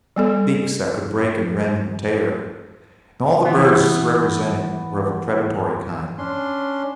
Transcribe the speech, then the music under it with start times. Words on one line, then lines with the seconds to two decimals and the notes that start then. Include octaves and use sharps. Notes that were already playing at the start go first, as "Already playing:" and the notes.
Beaks that could break and rend and tear--all the birds represented were of a predatory kind.
0.16 G3 B3 A4
3.44 E3 B3
6.18 C#4 D4 C6